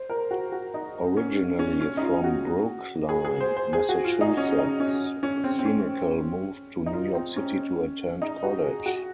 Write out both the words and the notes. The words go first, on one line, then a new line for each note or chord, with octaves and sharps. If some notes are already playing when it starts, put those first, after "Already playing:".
Originally from Brookline, Massachusetts, Senecal moved to New York City to attend college.
Already playing: C5
A#4
F#4
F#4
D#4
C#4
C#4
C#4
D#4
F4
F#4
G#4
G#4
C5
C5
G#4
F#4
F4
D#4
C#4
D#4
C#4
C#4
C4
C4
C#4
D#4
F4
C4
C#4
D#4
F#4
G#4
F#4